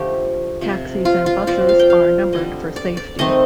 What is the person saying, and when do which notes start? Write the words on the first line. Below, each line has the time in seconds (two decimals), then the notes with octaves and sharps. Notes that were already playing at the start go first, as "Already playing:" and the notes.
Taxis and buses are numbered for safety.
Already playing: D3 F3 A3 G4
0.61 C3 F3 C4
1.05 F4
1.26 F4
1.47 F3 C4 D5
1.69 F5
1.79 G5
1.90 F5
2.33 D3 G3 C4 D#5
2.76 D5
2.97 D5
3.19 D#3 A3 C4 D#5